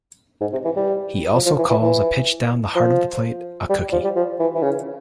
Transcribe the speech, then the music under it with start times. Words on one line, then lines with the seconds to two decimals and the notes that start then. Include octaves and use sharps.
He also calls a pitch down the heart of the plate a "cookie".
0.41 G#2
0.53 C3
0.65 E3
0.76 G3
1.34 F3
1.46 F3
1.58 E3
1.70 E3
1.82 E3
2.75 F3
3.69 G3
3.93 F3
4.04 G3
4.16 F3
4.40 E3
4.55 E3
4.62 C#3